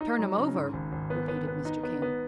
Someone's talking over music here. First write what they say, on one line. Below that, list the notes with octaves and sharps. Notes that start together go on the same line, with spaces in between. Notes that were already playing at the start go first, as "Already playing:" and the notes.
"Turn him over?" repeated Mr. King.
D#4
F#3
C#3
G#2
G#1
G#1
B3
B3
B3
D#4
B3
B3